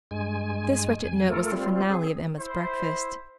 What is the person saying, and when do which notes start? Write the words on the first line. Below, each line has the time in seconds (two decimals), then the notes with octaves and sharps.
This wretched note was the finale of Emma's breakfast.
0.11 G2 G#3 G#5
1.04 F2 G#5
1.29 A3 F4 A4 A#4
1.52 G3 C4 F4
1.89 C4 G#4
2.38 E4 C5